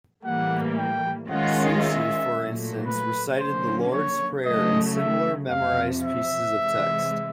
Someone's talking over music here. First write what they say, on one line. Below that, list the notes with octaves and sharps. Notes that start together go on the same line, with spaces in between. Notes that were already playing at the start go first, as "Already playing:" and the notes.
Siouxsie, for instance, recited The Lord's Prayer and similar memorised pieces of text.
A2 E3 G3 A#3 F#5
G5
D#3 G#3 C#4 F4 F#5
E5
A#2 F#3 A3
B4
D3 F#3 A#3 C#4 C5
C#5
C#3 F#3 A3 D#5
E5
F2 C3 F3 F5
E5
C3 E3 G#3